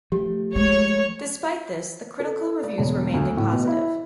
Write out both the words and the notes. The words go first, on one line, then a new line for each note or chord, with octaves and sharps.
Despite this, the critical reviews were mainly positive.
F3 A3 G4
G#3 C#5
A4
D5
E1
D2
A2
B2
E4